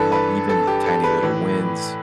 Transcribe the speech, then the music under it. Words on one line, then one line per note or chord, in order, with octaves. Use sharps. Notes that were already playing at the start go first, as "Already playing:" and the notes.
Uh, even tiny little wins
Already playing: G2 E3 A4 B4
B4
A4
G4
A4
B4
A2 E3